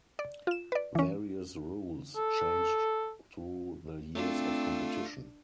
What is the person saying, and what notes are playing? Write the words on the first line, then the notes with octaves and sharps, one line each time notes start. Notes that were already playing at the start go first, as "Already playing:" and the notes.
Various rules changed through the years of competition.
D5
F4 E7
B4 D5
E3 C#4
A4
A3 C4 D4 F4